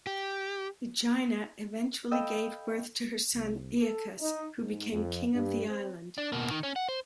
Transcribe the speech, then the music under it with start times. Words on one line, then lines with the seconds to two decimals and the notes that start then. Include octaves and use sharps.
Aegina eventually gave birth to her son Aeacus, who became king of the island.
0.07 G4
2.11 A4 D#5 F5 G5 B5 E6
3.34 C2
3.81 A4
4.21 D#4
4.60 G#2
4.92 F2
5.33 G2
5.68 C4
6.18 D4
6.32 B2 A#3
6.50 D#3
6.63 C#4
6.76 F#5
6.89 C5